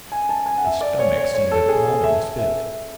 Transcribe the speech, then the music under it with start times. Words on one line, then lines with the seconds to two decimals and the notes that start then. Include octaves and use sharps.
His stomach seemed a bottomless pit.
0.12 G#5
0.29 A5
0.46 G#5
0.58 F#5
0.65 E5
0.81 D5
0.99 C#5
1.17 C#5
1.34 C#5
1.51 A4
1.69 G#4
2.04 E5
2.39 E5